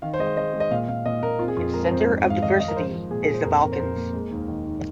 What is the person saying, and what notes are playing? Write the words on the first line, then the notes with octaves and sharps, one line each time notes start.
Its center of diversity is the Balkans.
D#3 F5
C5
G#3 D#5
G#3 D#5
G#3
D#5
A#2 F5
A#2 F5
A#2 D#5
A#2 A#4
C4 F4
G#4
F2 F4
G#3 A#4
F2 C5
G#2
G#2 F5
D#3 D#5
G#2 D#5
A#4
F3 C5
F3
A#2 G#4
G#4
A#2
C5
F2 A#4
F2 A#4
C5
F2 A#4
A#3
G#3
D#2
D#3
D#2